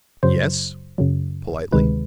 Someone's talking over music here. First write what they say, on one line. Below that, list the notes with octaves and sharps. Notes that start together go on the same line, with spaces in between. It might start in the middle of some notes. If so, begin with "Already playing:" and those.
"Yes?" politely.
F#2 C#3 F#3 C5
F#2 C#3 F#3
D2 C3 D#3 G#3 B4